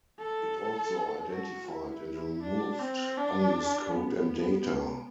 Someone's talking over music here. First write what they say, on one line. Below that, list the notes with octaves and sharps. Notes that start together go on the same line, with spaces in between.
It also identified and removed unused code and data.
A4
F#4
E4
D4
C4
D4
B3